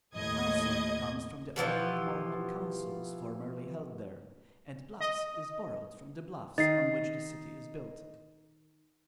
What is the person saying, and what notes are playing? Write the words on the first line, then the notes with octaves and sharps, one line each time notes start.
Council comes from the old Mormon councils formerly held there, and Bluffs is borrowed from the bluffs on which the city is built.
D#2 A2 D#5 D#6 G#6
B2 E3 F3 G4
D#5
D#3 D#4 A6 C7